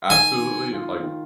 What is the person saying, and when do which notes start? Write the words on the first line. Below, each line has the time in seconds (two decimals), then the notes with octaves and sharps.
absolutely like
0.10 D#3 G#5
0.41 D#3
0.73 F4
1.03 D#3